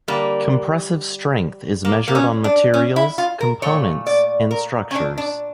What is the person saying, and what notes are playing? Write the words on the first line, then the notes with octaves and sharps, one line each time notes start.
Compressive strength is measured on materials, components, and structures.
D3 G3 A#3
A#3
A#3
C#4
D4
C#4
E4
F4
A#4
A#2 A3 C#5
D5
A#4
C#4
D4
D4